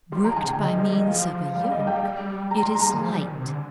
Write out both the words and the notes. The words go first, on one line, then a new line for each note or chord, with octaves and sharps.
Worked by means of a yoke, it is light.
G3 C6
F3 A#5
D#3 G#5
C3
D3 G5
D3 D#5
G3
F3 D#5
G3
D#3 D#5
F3 F5
G3 F5
G3 D#5
G3 G5
G3
G3 A#5
C6
G#3
A#5
G3 G#5
D#3
F3
G3
D#3
C3
D3